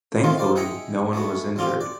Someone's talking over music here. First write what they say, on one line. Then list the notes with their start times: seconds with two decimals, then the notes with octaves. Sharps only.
Thankfully, no one was injured.
0.23 D#3 G#3 A3 C4 D#4 F4
0.38 C5 D5 F5
0.56 D#4 G#4 E5 F#5 G5 A#5
1.13 G#3 A3 B3 F#4
1.56 A1 G2 C4 F4 G4
1.81 D5